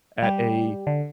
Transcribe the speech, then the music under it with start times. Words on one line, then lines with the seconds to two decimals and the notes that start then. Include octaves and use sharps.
at a,
0.22 G3 G4
0.87 D3